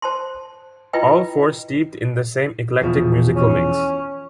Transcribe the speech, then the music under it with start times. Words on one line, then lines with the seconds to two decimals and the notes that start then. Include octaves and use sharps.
All four steeped in the same eclectic musical mix.
0.02 C5 A5 C6
0.93 E4 F4 B4 D#5 G5
2.81 E2 B2 F3
3.36 C#4